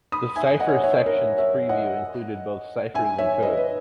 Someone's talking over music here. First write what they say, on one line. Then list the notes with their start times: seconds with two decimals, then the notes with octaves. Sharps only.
The "Cipher" Section's purview included both ciphers and codes.
0.12 B5 D#6
0.36 E5 G#5
0.59 D#5 F#5
0.69 C#5
0.77 D#5
0.83 C#5 E5
1.06 A#4 C#5
1.38 C#5 E5
1.69 D#5 F#5
2.94 E5 G#5
3.18 C#5 E5
3.42 B4 D#5
3.57 B4